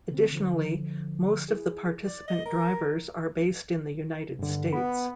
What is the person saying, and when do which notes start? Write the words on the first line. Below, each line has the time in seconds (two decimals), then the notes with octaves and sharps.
Additionally, most of the participant drivers are based in the United States.
0.12 D3 C4
0.32 D3 F3
1.49 E4 G#4
2.07 D5
2.28 D#5
2.45 A#4
4.39 G2 D3
4.73 B3 B5